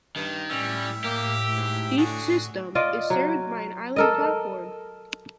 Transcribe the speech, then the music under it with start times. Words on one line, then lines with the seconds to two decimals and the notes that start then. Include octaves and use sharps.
Each system is served by an island platform.
0.16 G2 D#3
0.50 A2 G3 C#4 E5
1.04 A#3 G4
1.56 G#2
1.98 D3 F#4 G#4
2.75 F4 D5 D#5
3.10 F#3
3.96 A4 A#4 D#5